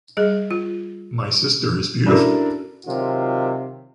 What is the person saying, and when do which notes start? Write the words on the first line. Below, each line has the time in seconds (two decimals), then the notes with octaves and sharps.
My sister is beautiful.
0.17 G3 G#4 D#5
0.51 F4
2.06 C#4 D4 E4 F#4 A4 A#4
2.85 C3 D#3 F#3 F4